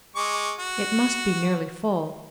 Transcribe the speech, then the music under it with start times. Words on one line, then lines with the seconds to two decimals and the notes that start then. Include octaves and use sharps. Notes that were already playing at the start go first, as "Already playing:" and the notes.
It must be nearly full.
0.16 G#3 C#6 D6
0.58 F#4